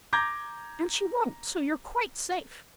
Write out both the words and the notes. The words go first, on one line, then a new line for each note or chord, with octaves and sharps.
'And she won't, so you're quite safe.'
A#5 D6 G6 G#6 A#6